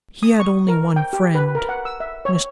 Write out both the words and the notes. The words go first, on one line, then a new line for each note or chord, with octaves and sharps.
He had only one friend--Mr.
D#6
C#6
A#4
G5
G4
B4
A#4
F#5
E6
E5
C#5